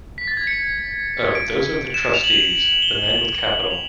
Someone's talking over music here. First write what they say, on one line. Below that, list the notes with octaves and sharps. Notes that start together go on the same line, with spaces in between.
Oh, those are the trustees — the men with capital.
B6
A6
G#6
C#7
D7
E7
E7
F7
F#7
G7
F#7
G7
F7